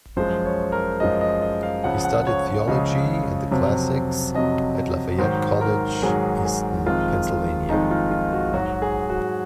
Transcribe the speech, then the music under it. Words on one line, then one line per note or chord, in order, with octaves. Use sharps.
He studied theology and the classics at Lafayette College, Easton, Pennsylvania.
F#2 F3 G#3 C5
C#5
A#4
F#2 F3 G#3 D#5
D#5
D#5
F5
C#2 C#3 F3 F#5
F#5
C#5
C#5
C#2 C#3 F3 D#5
F2 C3 F#3
F2 C3 F#3 D#5
G#2 D#3 F#3 C5
A#4
A#4
G#2 D#3 F#3 G#4
G#4
F2 D#3 G#3 F4
F2 D#3 G#3 D#4
F4
F4
F#4
G#2 F#3 F#4
G#4
F#4